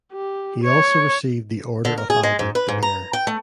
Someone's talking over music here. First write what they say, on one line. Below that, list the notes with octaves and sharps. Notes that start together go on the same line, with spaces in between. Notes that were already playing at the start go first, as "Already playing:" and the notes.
He also received the Order of Albert the Bear.
G4
C#5
D3
A#4
G#4
G#3
G#2
B4
G#2
A#5
G5
A3